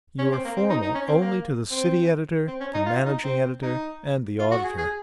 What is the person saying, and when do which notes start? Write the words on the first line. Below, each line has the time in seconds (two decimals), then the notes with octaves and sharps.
You are formal only to the city editor, the managing editor, and the auditor.
0.18 C#4
0.32 C4
0.45 A#3
0.57 C4
0.70 D#4
0.82 D#4
0.94 C#4
1.07 C4
1.21 A#3
1.71 C4
2.48 C4
2.60 C#4
2.74 D#4
2.86 F4
3.05 D#4
3.24 C4
3.62 D#4
4.39 F4
4.51 F#4
4.64 G#4
4.78 G#4